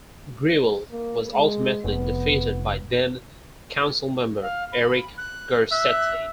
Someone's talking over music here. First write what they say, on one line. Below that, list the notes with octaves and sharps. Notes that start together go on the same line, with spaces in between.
Greuel was ultimately defeated by then-Councilmember Eric Garcetti.
A#3
G#3
F1 B3
F5
B5
F#6
E5 F#6